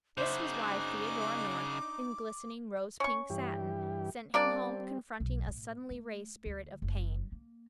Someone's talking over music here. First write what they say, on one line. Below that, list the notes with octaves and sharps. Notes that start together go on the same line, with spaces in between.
This was why Theodora North, in glistening rose-pink satin, sent him home confronting a suddenly-raised spirit of pain.
C#3 D4 D#4 F#4 C5 E5 D6
C#4 C#6
G2 E3 G4
G3 A#3 C4 D4 D5
B1
A2
A3
D2
F#1
A#3